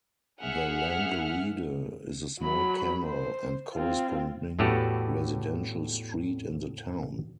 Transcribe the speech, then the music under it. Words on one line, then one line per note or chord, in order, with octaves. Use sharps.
The Langelede is a small canal and corresponding residential street in the town.
G#4 E5 F#5 F6
F#3 B5
C5
C4 F4
E2 A2 A3 F#4 G4 B4